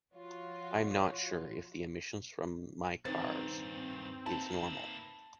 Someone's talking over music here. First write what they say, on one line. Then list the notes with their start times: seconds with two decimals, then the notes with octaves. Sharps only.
I am not sure if the emission from my car’s is normal.
0.13 F3 F4 F#4 C#5
3.05 G2 D#3 C4 D#4 B4 C5 A6
4.26 A#3 E4 A5